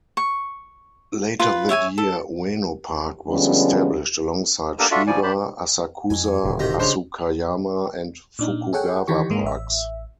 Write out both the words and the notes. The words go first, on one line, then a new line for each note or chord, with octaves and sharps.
Later that year Ueno Park was established, alongside Shiba, Asakusa, Asukayama, and Fukugawa Parks.
C#6
F4 B4 B5
C#5 E5 G5 G#5
A4
D3 F3 G3 G#3 B3 C#4
A#3 B3 D4 G4 A4 A#4
D4 F4 F#4 A4 E5
D2 F3 G3 D5 G#5
D4 G4 C5 A5 B5
F2 G#5
D#1 A2 D3
C3 D#3 F#4 G4 D#5 A#5
C#3 G3 G#3 D4 C5 F7
A#2 D4 D#4
G#4 A4 C#5 F#5 G5
D#3 E3 G4 C#6
G#2 G#3 A#3
A1 E5